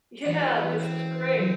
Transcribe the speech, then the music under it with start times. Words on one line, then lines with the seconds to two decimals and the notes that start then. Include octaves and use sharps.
Yeah, this was great
0.25 E3 G#3 B3 C#4 F#4
0.80 C4
1.35 C#3 F#3 A3